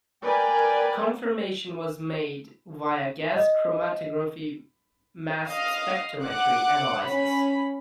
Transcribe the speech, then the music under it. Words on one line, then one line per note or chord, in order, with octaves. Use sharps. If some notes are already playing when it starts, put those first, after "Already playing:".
Confirmation was made via gas chromatography-mass spectrometry analysis.
A#4 B4 D5 G5 G#5
D#5
D#5 F5
F#5 D6 F#6
C#4 B5